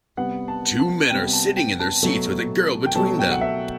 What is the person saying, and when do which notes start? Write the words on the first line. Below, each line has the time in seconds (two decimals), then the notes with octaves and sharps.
Two men are sitting in their seats with a girl between them.
0.17 C3 G3 B3 F#5
0.48 A5
0.79 A5
1.10 C3 G3 B3 G5
1.33 A5
1.56 G5
1.80 A5
2.03 B2 F#3 A3
2.86 G5
2.95 B2 F#3 A3 A5
3.19 G5
3.31 F#5
3.41 E5